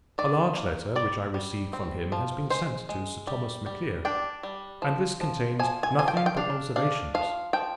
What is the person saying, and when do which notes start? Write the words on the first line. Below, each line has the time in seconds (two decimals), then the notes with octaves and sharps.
A large letter which I received from him has been sent to Sir Thomas MacLear, and this contains nothing but observations.
0.18 D#3 D5
0.57 A#3
0.95 G3 D5
1.34 G3
1.73 C4
2.12 F3
2.50 G#3 C5
2.89 G#3
3.27 G3
3.66 G3
4.05 D4 G5
4.43 G3
4.82 F3
5.21 F3
5.59 F3 G#5
5.83 G#5
5.99 F3 G#5
6.08 G5
6.17 F5
6.26 G5
6.37 D4 F5
6.76 D4 F5
7.14 F3 F5
7.53 F3 G5